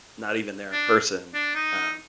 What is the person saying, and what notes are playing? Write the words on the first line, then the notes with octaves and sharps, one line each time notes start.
not even there in person, um,
D4
D4
D#4